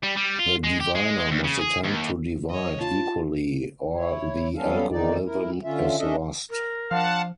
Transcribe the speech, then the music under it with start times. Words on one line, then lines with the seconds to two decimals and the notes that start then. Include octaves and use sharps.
The diviner must attempt to divide equally, or the algorithm is lost.
0.03 G3
0.17 G3
0.39 F4
0.64 G#3
0.80 G4
0.95 G#3
1.31 D2
1.44 C#3
1.59 G#4
1.84 D#2
2.50 C#5 D#5
2.81 F4 A5
3.96 E4 C#5
4.56 F#3 G3 B3 C#4 A4 F5
4.91 E2 C3 D#3 D#4 D5
5.25 E4 A#4
5.64 D3 C#4 F4 E5
5.98 C#4 D4 A4 D#5 E5
6.50 A#4
6.91 F3 D4 F4 F5 F#5 A5